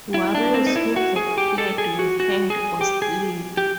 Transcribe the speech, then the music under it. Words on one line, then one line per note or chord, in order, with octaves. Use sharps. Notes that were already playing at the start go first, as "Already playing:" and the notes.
Warriors who had fled were hanged or slain.
E4
D4
C4
D#4
E4
F#4
G#4
G4
A4
G#4
F#4
F#4
G#4
G4
G#4
G4